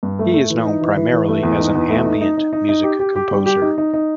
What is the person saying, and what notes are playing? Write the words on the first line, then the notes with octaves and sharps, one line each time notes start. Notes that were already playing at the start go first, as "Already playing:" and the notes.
He is known primarily as an ambient music composer.
G2
A3
A3
E3
D#4
E3
E3
E3
A3
E2
D#4
E2
A3
D#4
D#4
D#4
D#4
D#4
G4
G4
G4
G3
G4
D#4
D#4
D#4